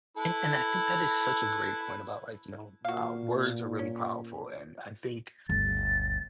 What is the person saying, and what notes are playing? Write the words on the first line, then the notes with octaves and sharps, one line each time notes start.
And and I think that is such a great point about like, you know, uh, words are really powerful, and I think
E4 A4 B4
A#2 F#4 F5
C#4
G1 D2 A6